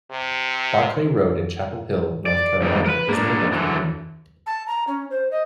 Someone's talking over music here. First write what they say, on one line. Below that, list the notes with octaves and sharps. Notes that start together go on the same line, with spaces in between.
Barclay Road in Chapel Hill, North Carolina is named after him.
C3
D5
E2 G2 D#3 G3 A3 C4
A#4 B4
A#3 D4
D3 E3 F#3
A5
A#5
C#4
C5
D#5